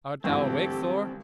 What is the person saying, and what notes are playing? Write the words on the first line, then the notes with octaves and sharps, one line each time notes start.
Art thou awake, Thor?
G#1 D2 G2 E3 C4 F#4 G4 A4